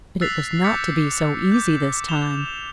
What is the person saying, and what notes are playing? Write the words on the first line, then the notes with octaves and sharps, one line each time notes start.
But it was not to be so easy this time.
E6 F#6 A6 B6 C7 F7
D6 G6 A6 B6 C#7
D6 G6
E7 F7 G7